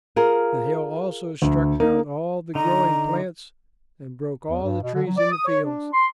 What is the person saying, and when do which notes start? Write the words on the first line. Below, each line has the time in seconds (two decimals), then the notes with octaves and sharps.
The hail also struck down all the growing plants and broke all the trees in the fields.
0.16 F4 G#4 A#4
1.42 D2
1.80 A#3 D#4
2.55 D3 D#4 A#5
4.49 E2
4.62 G2
4.82 B2
4.94 D3
5.06 F#3
5.17 D5
5.31 D#6
5.45 C#5
5.64 D4
5.93 C6